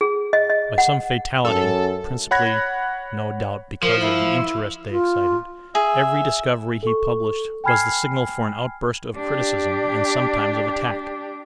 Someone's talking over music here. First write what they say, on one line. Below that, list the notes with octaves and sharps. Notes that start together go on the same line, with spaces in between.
By some fatality, principally no doubt because of the interest they excited, every discovery he published was the signal for an outburst of criticism and sometimes of attack.
G#4
D#5
D#5
F#5
F#2 A4
C#5 F#5 B5 F#6 G#6 A#6
F3 A#4
E4
F4
G#4 E5
A4 C#6
G5 G#5 B5 F6 G#6 C7
D4 G4